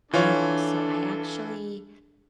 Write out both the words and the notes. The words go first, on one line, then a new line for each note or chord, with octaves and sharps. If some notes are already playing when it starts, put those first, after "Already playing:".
Um, so I actually,
E3 D4 F4 A4 C#5